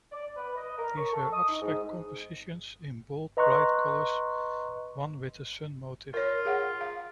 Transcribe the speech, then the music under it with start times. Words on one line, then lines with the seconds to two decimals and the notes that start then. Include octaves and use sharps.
These were abstract compositions in bold, bright colours, one with a sun motif.
0.12 D5
0.36 B4
0.55 D#5
0.77 A#4
0.97 C#6
1.13 A4
1.31 D#6
1.48 D#4
1.61 G#2
3.37 B4 D#5 A#5 C6 C#6 F#6
6.14 F4 A#4 C#5
6.45 G#4 F5 F#5
6.81 F5